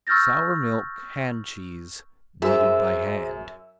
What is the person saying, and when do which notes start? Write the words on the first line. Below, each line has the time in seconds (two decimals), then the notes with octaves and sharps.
Sour-milk hand cheese, kneaded by hand.
0.07 C#6 E6 F6 G6 A6 A#6
2.42 F#2 G#4 C5 E5